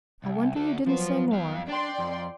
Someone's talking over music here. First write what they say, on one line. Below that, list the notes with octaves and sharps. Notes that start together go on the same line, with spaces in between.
"I wonder you didn't say more."
C2
D2 A4
F3 F#3 B3 C5
F2 F5
D4 D5 G5 C6
F2